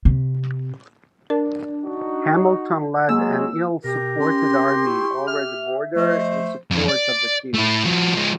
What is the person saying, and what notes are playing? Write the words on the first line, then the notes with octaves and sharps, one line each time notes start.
Hamilton led an ill-supported army over the border in support of the king.
C3
D4 A#4
D#4 F#4
F#3 G#3 A#3 E6
B2 G4 A#4
C#4 C6
E4 C#6
E5 F6
F3 A3 C5 D#5
F2 E3
D5
A3 E4
F3 F#4
F3 G#3